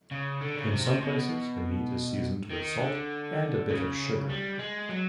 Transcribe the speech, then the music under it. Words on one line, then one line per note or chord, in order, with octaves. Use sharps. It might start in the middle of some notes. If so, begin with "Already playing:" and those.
In some places, the meat is seasoned with salt and a bit of sugar.
C#3
D3
C#3
C3
C3
B2
D#3
D3
C#3
G3
G#3
F#3